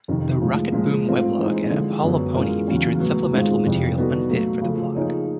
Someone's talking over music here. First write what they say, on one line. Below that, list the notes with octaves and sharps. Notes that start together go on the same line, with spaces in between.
The Rocketboom weblog and Apollo Pony featured supplemental material unfit for the vlog.
F2 C3 D#3
A2 F3 G#3
A#2 F3 G#3
G#2 F3 A3 C4 F4
E3 G#3 C4 D#4
D3 F3 G#3
F#2 D3 F#3 B3
E3 G#3 C#4 F4 A#4
E2 C#3 F#3 A#3 C#4
A2 F#3 B3
G#2 D#3 G#3 C4 F4
F2 C3 E3
G3 B3 D#4 F#4 A4
A#2 F#3 A3
C#3 F3 A3
F3 A#3 D#4 G#4 C#5